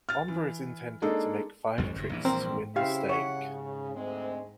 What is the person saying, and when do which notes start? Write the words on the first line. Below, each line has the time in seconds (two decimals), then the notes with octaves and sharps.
Ombre is intended to make five tricks to win the stake.
0.09 F6 A6
0.28 E3
1.02 G#3 A#3 D4 D#4 G#4 A4
1.78 A1 F2 G3
1.96 F#1 G2
2.10 A#1 G2 E3
2.25 C4 A#4
2.76 C#3 E4 G4 C5 F5
3.09 C#5 F#5
3.40 G#2
3.94 D2 G#3 C4